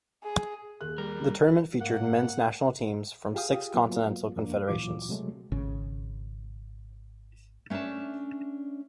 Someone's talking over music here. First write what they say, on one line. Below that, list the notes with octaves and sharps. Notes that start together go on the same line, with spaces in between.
The tournament featured men's national teams from six continental confederations.
G#4
D#2 G#4 F#6
G3 A#4
G#2 A#3 F#5
F4 G4 G#4 F5 G5 D#6
F#3 A#3 B3 F4
F2 A#3 D4
D2 A#2 E3 F#3 F4 D6
C3 F#3 G#3 A3
G#1 C#3
A3 C#4 D4 E5 A5